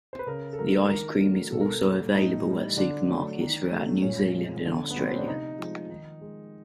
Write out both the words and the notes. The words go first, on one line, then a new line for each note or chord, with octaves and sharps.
The Ice cream is also available at supermarkets throughout New Zealand and Australia.
C5
B4
C#3 A#4
A4
F#3 A3 A#4
D#3 A#4
F#3 A3
B2 A4
A#4
A4
G3 A#3
A2 D#4
E3 G3
D3 D4
F#3 A3
D#3
F#3 A3
A#2 C#4
F3 G#3
D3
B3
F3 A3 C4
C#4
D4
C3 D#4
F3 G#3
D#3
G#3